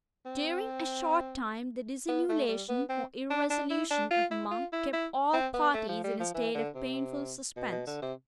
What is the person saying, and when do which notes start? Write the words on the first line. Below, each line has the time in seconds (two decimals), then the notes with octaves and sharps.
During a short time the dissimulation or irresolution of Monk kept all parties in a state of painful suspense.
0.26 C4
2.09 B3
2.29 A3
2.48 G3
2.69 B3
2.89 C4
3.30 D4
3.50 D4
3.70 E4
3.90 D4
4.11 F4
4.31 E4
4.51 F4
4.73 E4
4.93 E4
5.33 C4
5.54 B3
5.74 A3
5.89 F3
6.04 G3
6.20 F3
6.34 E3
6.55 D3
6.75 C3
7.57 B2
7.72 B2
7.87 D3
8.02 C3